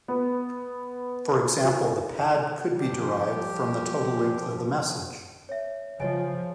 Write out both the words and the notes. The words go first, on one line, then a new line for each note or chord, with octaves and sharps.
For example, the pad could be derived from the total length of the message.
B3
E4 F#4 C5
F3 G3 G4
C#5 E5
C#3 F3 C#5 D#5 G#5